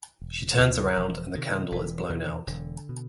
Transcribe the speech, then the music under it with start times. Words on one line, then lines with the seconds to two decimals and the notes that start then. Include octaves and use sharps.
She turns around and the candle is blown out.
0.22 E1
0.59 D2 C3
0.96 E1 F3
1.34 D2 C3 D#3
1.71 E1 E3
2.10 E2 B2 E3
2.47 E1 D3
2.89 B2